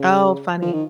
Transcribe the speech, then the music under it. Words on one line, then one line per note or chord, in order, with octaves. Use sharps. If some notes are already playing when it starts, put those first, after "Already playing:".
Oh, funny.
Already playing: C#3
F3
D#3